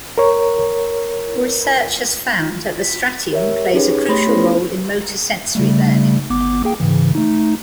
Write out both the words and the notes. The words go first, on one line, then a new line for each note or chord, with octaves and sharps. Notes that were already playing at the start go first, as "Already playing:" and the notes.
Research has found that the stratium plays a crucial role in motor sensory learning.
A#4 C#5
B6
G4 A#4 C#5 E5
C#4 D#4 G4 G#4 B4 C#5
A3 G4 C#5 B5 C6 A#6
B3 C#4 E4 A4 B4 C5
C#3 G3 A3
G1 B3 D6
A#3 G#4 G5
G#2 C#3 E3
A3 D#4